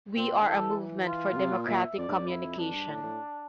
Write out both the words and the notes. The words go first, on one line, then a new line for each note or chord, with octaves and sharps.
We are a movement for democratic communication.
A#2 C4
A#2
D3
E3 A4
F4
A#2
C3
A#2
A#2 E5
F2 D5
G2
F2
E4
F2 D4
G2
A2
A2